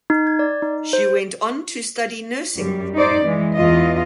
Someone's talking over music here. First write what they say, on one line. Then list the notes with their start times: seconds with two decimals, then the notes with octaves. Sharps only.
She went on to study nursing.
0.10 D#4
0.27 G#6
0.39 D5
0.62 D#4
0.93 C5
2.56 F#2 G3
2.95 D#4 C5 D5
3.23 E3 G#3
3.54 E2 E3 F4 D#5